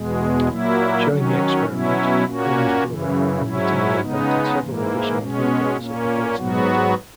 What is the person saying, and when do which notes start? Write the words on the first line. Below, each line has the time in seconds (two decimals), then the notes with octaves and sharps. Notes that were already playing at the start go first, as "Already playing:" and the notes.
During the experiment, Coan's brother unwittingly invented several additional details of the false narrative.
Already playing: E2 B2 G#3
0.48 A#2 F#3 A#3 E4
1.07 D#3 F#3 C#4
1.66 B2 F#3 C#4 E4
2.25 A#2 A#3 C#4 F#4
2.83 F#2 C#3 E3
3.42 G#2 F#3 C#4 E4
4.00 C#3 G#3 B3 D#4
4.60 G#2 E3 A#3
5.18 B2 G#3 C#4
5.77 A#2 A#3 C#4
6.35 G#2 F#3 B3 F#4